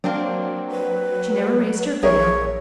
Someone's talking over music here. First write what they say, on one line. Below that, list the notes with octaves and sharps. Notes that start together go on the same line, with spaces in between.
She never raised her veil.
F#3 A#3 C4 D4
B4
A#1 G#4 A#4 C#5 E5